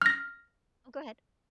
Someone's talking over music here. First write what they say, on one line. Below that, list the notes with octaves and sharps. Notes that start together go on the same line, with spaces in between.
Oh, go ahead.
F6 A#6